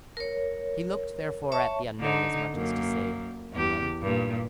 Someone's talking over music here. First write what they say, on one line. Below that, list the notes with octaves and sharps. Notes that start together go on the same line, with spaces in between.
He looked, therefore, at the unknown, as much as to say, "And then?"
A#4 C#5
C#5 E5 A5 C#6
D3 D#4
F#2 A#3
E2 G4
G2 A#2